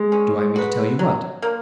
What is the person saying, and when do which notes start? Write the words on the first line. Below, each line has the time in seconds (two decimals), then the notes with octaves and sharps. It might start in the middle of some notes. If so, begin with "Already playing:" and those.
Do I mean to tell you what?'
Already playing: G#3
0.12 C#4
0.56 F#4 B4
0.99 F#3
1.42 A#3